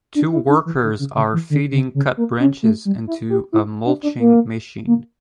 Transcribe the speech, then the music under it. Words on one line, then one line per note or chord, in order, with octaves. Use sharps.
Two workers are feeding cut branches into a mulching machine.
D4
E4
D4
E3
D3
C#3
C#3
E3
D3
C#3
C#3
A#3
C#4
A3
G3
E4
G4
E4
D4
D4
A#3
A#3